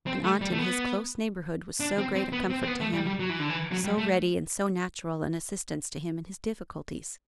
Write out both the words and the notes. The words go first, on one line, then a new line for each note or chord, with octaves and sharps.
An aunt in his close neighbourhood was so great a comfort to him,--so ready and so natural an assistance to him in his difficulties!
C4
A3
G3
A3
B3
D4
C4
C4
B3
C4
C4
B3
A3
G3
G3
F#3
E3
D3
E3
F#3
G3
A3